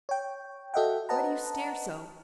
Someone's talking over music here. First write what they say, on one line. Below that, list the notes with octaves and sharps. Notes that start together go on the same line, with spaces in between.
Why do you stare so?
C#5 G5
F#4 A4 D#5 E5 F#5 G5
B4 C5 D#5 F#5 A5 A#5